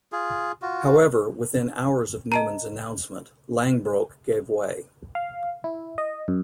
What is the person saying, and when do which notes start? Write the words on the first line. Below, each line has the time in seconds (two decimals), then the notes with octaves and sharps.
However, within hours of Newman's announcement, Langbroek gave way.
0.12 F4 G#4
0.62 F4 F#4
2.32 D#5 A5 A#5
5.15 F5
5.64 E4
5.98 D#5
6.28 F#2